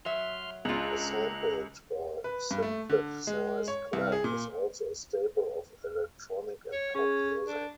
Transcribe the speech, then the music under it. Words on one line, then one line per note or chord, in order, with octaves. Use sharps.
A sampled or synthesized clap is also a staple of electronic and pop music.
F#3 E5 C6 F6
C#2 D4 F4 A#5 F#6
B4
G2
A3
D3
G#3
C#5
C2
G#4
A#2
C#5
C#4 G#4 C#6
D4